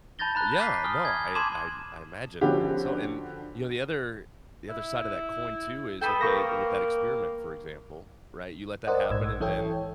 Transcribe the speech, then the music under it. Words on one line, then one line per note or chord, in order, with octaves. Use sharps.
Yeah, no, I I I imagine. So, and you know, the other the other side of that coin too is, okay, with that experiment for example, right, you let that happen and then,
A5 B5 G6 A6 A#6 G7
A#5 B5 F#6
D6 B6 C7 D#7
G#5 D#6 F6 G7
G#6
A5 C6 D6 G#6 D#7 E7
D3 F3 B3 C#4 F#4 G4
E4
A4 G5 B5 D#6
A#3 A#4 C#6 A#6
A#4 C5 D5 D#5 F#5
A#1 G#2 E6 G#6
E3 E4 A4 C#5 G5